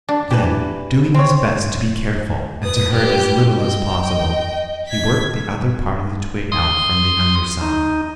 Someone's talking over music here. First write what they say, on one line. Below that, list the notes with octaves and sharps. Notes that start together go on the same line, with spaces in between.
Then, doing his best to be careful and to hurt as little as possible, he worked the other part of the twig out from the under side.
D4
E3 G4 B4
C4 C#5
B4 D#6
G4
D#5 G5
G#6 B6
C6 D#6
D#4